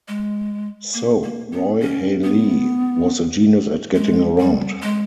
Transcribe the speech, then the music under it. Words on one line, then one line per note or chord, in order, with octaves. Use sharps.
So Roy Halee was a genius at getting around.
G#3
A#3
A#3
B3
C#4
B3
G#3
G3
G#3